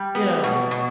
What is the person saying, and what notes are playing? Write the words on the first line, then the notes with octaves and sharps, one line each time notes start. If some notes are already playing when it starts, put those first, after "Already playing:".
You know.
Already playing: G3
B3
B2
B2